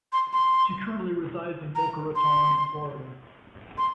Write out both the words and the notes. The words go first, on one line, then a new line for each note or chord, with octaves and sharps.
She currently resides in Boca Raton, Florida.
C6
C6
A#5
C6
C6